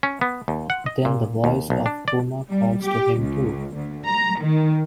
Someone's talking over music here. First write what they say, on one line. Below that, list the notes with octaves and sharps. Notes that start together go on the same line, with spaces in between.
Then the voice of Groma calls to him too.
C#4
B3
D#2
F#5
D#5
A#2
D#2
B1
D4
D5
G3
G4
C#2
D2
A#5
D#3